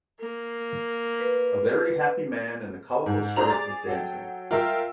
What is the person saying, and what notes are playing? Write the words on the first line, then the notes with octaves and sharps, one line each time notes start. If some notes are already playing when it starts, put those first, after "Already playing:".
A very happy man in a colorful shirt is dancing.
A#3
B4
G#2
D4 C5 A#5 F7
G#4 D5 D6 A6
F#3 A4 G5
F4 A#4 E5 F5 G5 E6